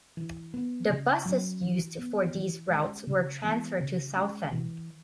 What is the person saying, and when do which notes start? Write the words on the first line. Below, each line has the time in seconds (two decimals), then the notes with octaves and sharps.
The buses used for these routes were transferred to Southend.
0.17 E3
0.54 B3
0.90 C#3
1.26 F#3 C#4
1.62 E3
1.98 B3
2.34 E3
2.70 G#3 C#4
3.07 C#3
3.44 E3 G#3 B3
3.80 C#3
4.16 G#3 C#4
4.52 E3